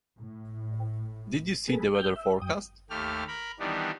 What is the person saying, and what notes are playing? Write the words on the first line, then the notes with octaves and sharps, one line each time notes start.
Did you see the weather forecast?
A2
A#3 G#4 A4 B4
G5 G6
E5
F#2 G5 D#6
D#2 A3 G4 F6
A#4 B5
D#3 E3 G3 B3 D4